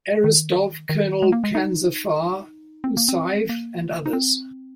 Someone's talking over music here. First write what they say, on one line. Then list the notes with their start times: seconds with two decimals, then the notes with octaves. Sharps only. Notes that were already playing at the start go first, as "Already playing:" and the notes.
Aristov, Colonel Kanzafar Usaev, and others.
0.24 D#3
0.89 D#3
1.22 G#3
1.32 A#3
1.44 G#3
1.55 D#4
2.84 C4
2.97 A#3
3.08 C4
3.49 A#3
4.06 D#4
4.13 C4